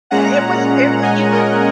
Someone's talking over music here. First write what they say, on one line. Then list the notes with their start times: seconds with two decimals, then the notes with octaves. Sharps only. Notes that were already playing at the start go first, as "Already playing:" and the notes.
Eh it was i you kn
0.11 A#2 G#3 C#4 F#5 A#5
1.02 D#5 G#5
1.32 A#4 D#5